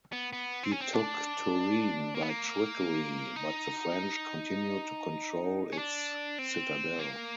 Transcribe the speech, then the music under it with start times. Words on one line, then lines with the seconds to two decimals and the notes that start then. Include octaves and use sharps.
He took Turin by trickery, but the French continued to control its citadel.
0.13 B3
0.33 B3
0.63 C4
0.72 C#4
0.80 C4
0.93 D4
2.14 A#3
2.22 B3
2.30 A#3
3.36 D#4
5.73 C#4
5.78 D4
6.39 C4
6.99 A#3